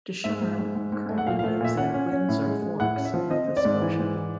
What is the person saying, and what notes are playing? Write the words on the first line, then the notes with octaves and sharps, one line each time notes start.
Ducharme currently lives in Windsor Forks, Nova Scotia.
G#2 E5
G#2
G#2
G#2
G#2
A3
F#5
A#2 F5
A3 F5
A#2 E5
C#4 F#5
C#4
C#4
A2
G#3
G#3
A2 F#5
C#4
E5
F3
C4 D#5
C4
D5
G#2
E3
G#2
E3